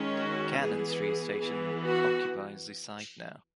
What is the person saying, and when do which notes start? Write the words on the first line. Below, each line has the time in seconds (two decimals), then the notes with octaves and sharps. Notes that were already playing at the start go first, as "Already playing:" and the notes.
Cannon Street station occupies the site now.
Already playing: D#3 G#3 C#4
0.20 F#4
0.61 E3 B3 G#4
1.02 G#4
1.43 E3 B3
1.84 F#4